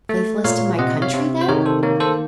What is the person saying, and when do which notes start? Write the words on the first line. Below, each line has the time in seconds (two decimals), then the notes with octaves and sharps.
"Faithless to my country then?"
0.09 A3
0.44 A#2 C#5 F5
0.79 C3 D#5 F#5
1.02 C#5 F5
1.14 C3
1.41 C5
1.48 D#3 A#4 C#5
1.66 A4 C5
1.83 A#3 A#4 C#5
2.00 A4 C5